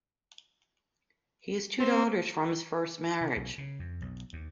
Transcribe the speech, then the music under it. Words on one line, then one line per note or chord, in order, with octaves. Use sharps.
He has two daughters from his first marriage.
C4
C3
B1
C#3
F2
B1
D#2